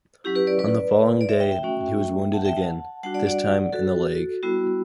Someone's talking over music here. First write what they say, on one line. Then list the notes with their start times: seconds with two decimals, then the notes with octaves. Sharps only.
On the following day, he was wounded again, this time in the leg.
0.24 F#3 C#4 E4 G4
0.35 G4 B4
0.47 B4 D5
0.59 B4 D5
1.21 D5
1.29 C#5 E5
1.40 E5 G5
1.52 E5 G5
1.63 A3 C#4 F#4
2.33 F#5 A5
2.45 E5 G5
2.57 F#5 A5
3.03 G3 D4 F#4 F#5 A5
3.14 D5 F#5
3.27 D5 F#5
3.73 F#4 A4
4.43 G3 B3 E4 F#4